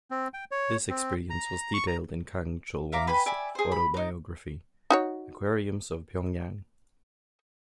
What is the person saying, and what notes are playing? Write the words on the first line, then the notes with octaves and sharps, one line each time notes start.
This experience was detailed in Kang Chol-Hwan's autobiography "Aquariums of Pyongyang".
C4
G5
C#5
C4
A#5
C#6
A#5
E5 F5 A#5 D6
B4 G5 G#5 B5
D5 E5 G#5
G#4 C5
B5
D#4 A#5
D#4 F#4 C#5